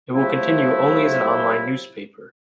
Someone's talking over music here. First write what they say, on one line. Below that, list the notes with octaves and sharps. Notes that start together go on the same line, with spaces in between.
It will continue only as an online newspaper.
A2 C3 F3 F#3 A3 E4